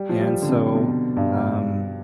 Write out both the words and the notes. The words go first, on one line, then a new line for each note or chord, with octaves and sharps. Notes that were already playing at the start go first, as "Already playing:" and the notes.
and so, um
Already playing: G3
F3
G3
D3
C3
B2
G2